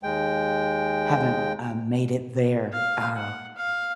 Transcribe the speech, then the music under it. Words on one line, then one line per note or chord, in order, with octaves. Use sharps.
haven't, uh, made it there, uh,
D#2 G#3 G5
F5
F#5
F5